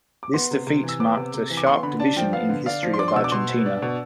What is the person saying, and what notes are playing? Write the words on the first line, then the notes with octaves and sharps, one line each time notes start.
This defeat marked a sharp division in the history of Argentina.
D6
B3 C6
C3
C3
E3
E6
B3 D6
C3
C3
E3
D6
B3 C6
D3 B5
D4 A5
F3 G5
B3 F5
D3
D4 F5
F3
C6
D4 D6
C6
B2 E6
D6
B2 C6
B3
D4
B2